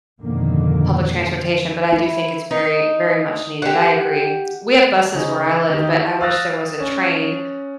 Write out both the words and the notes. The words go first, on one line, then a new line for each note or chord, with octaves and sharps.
public transportation, but I do think it's very, very much needed. I agree. We have buses where I live, but I wish there was a train
F2 G#2 B2 D3 D#3 A#3
E4
D#4
G4 F#5
C#3 D#4
D#3 D#4 G4
E4 F#4
F5 D#6 E6 F#6 A6 A#6
C#4